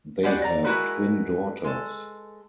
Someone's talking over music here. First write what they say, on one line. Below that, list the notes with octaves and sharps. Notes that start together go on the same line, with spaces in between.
They have twin daughters.
G#3 B3 F#4 G4 D5
D5 A#5
G#3 E4 F#4 A#4 B4
G#3 A4